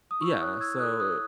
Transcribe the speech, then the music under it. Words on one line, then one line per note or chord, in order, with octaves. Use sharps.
Yeah, so
D#6
E4 C#6 E6
C#5 D#6 F#6
C#5 E6 G#6
A4 D#6 F#6
C#5 D#6 F#6